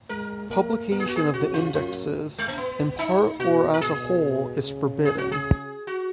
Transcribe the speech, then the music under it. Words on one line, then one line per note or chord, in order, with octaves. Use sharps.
Publication of the indexes, in part or as a whole, is forbidden.
G#3 A#4
A#3 A#4
B3 A#4
G#4
F#4
G#4
C#3 F#4
F4
F#2 F4
G#3
A#3
B3
D#4
B2 F#4
A#4
B2 G#4
C#3
G#4
F#4
G#4
F#4